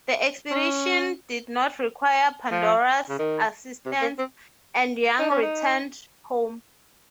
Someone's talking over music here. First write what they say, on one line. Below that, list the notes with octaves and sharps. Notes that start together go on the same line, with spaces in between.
The expedition did not require "Pandora's" assistance, and Young returned home.
C#4
F3
C#3
D#3
C3
A#3
C4
D#4
C#4
D#4